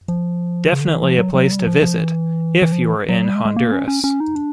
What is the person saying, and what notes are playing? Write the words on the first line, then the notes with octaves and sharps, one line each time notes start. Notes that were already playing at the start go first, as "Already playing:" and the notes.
Definitely a place to visit if you are in Honduras.
F3
C#3
D3
D#3
E3
F3
F#3
F#3
G3
F#3
F3
F3
E3
E3
F3
E3
F#3
G3
G#3
G#3
A#3
C#4
C#4
C#4
D#4
D4